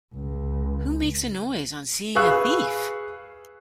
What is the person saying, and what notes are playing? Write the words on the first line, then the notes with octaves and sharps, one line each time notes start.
Who makes a noise on seeing a thief?
C#2
G#4 B4 F5 C#6 E6 F#6